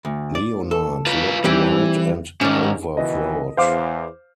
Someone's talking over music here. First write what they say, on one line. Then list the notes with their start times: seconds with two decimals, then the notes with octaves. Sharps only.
Leonard looked white and overwrought.
0.05 D2
0.35 D5
0.71 A4
1.07 F4 B4
1.44 E3 G3 C4 G4
2.41 G#2 D#3 C#4 D5
2.97 B2 D#3 E3 D#5
3.57 E2 C5 F5 D6